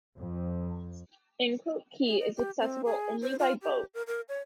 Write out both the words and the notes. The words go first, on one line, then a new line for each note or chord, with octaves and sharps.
Anclote Key is accessible only by boat.
F2
G#4
D#5
G4
C4
G#4
C5
F4
G4
A#4
A#4
C#5